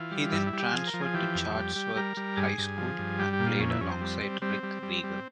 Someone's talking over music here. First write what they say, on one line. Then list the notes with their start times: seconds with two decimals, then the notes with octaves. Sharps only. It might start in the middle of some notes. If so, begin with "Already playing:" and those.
He then transferred to Chatsworth High School and played alongside Rick Rieger.
Already playing: E3 F4
0.11 G3
0.32 G2 E4
0.46 E4
0.53 G3
0.59 G4
0.73 F3 G#4
0.87 A#4
0.94 F3
1.00 G#4
1.14 E3 G4
1.35 F2
1.55 G3
1.76 G3
1.96 G3 A#4
2.17 G3
2.37 G2 G#4
2.58 G2
2.78 F3
2.98 G2
3.19 G3 G4
3.33 G4
3.40 A#2
3.46 F4
3.60 F2 C#4
3.70 E4
3.81 F2 C#4
3.91 C4
4.01 G3
4.22 G3
4.42 G3 C4
4.63 G3
4.83 G3
5.04 G3